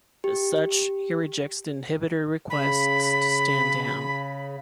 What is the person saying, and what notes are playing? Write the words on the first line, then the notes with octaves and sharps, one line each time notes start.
As such, he rejects the Inhibitor requests to stand down.
G4
C#3 B5